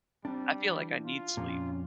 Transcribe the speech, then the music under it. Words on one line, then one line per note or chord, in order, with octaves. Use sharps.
I feel like I need sleep.
G3 C4 D4
E3
F4
F2 A#2 C#4